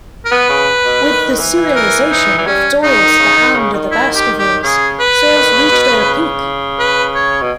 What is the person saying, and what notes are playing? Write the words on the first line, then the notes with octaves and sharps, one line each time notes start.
With the serialisation of Doyle's "The Hound of the Baskervilles", sales reached their peak.
A#4
B3 B4
C#3
B2
D#3
E3
A#4
D#4
E3
G3 C#4
C#3 D#4
D#3
C#3
D#3
C#3
D#3
E4
G4
G4
C#3 G#4
B4
D#3
C#3
B2
C#3
B4
C#5
B2